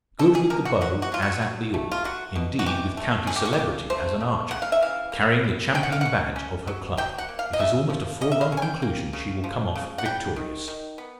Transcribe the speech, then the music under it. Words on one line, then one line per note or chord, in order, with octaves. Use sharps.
Good with the bow, as at the oar--indeed with county celebrity as an archer--carrying the champion badge of her club--it is almost a foregone conclusion she will come off victorious.
B2 A4
G#4
B2 A#4
F#4
F#3 F#4
F#4
F#3 F4
F#4
F#3
A3
F4
F#3 F#4
B2
F#4
E3 G4
A3
A3 G#4
G4
F#4
G4
C#3
A3 C5
C#3
C#3 F#5
F5
E5
E3 F5
A#3
E4
C#4 G5
F#5
F5
C#4 F#5
C#4
F#3
F#3 G5
F#5
A#3
F5
D#5
C#3 E5
F3
C#4 D#5
E5
F5
C#4
G#5
G5
A#3
C#3
F3
C#3
F#5
G3 G5
D#3
D#3
B3